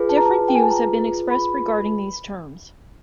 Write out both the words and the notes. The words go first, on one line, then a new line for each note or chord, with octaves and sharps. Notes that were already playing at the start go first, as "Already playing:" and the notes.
Different views have been expressed regarding these terms.
Already playing: F4 G#4 B4
A5
A#5
A5
G5
G#5
A5
A#5
B5